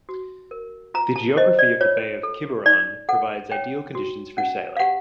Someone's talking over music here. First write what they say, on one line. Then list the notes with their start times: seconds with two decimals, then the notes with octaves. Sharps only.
The geography of the Bay of Quiberon provides ideal conditions for sailing.
0.09 F#4
0.51 A#4
0.94 F4 A#5
1.16 A5
1.37 C5 D#5
1.59 D5
1.81 F4 C#5
2.23 A4
2.66 D#4 D5
3.09 A4 F#5
3.52 C#5 G5
3.95 F#4
4.37 C#4 F#5
4.77 F5
4.80 G4 F#5